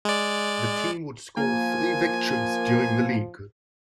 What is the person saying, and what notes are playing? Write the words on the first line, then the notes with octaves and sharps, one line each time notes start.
The team would score three victories during the league.
G#3 D5
F3 A#3 G#5